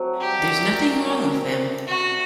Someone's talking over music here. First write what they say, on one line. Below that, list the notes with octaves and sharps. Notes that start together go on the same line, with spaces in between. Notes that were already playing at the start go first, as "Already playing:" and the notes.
There's nothing wrong with them.
Already playing: F#3 A3 C4
G3 G4
D#3
D4
D#3
C4
A3
F#4 G4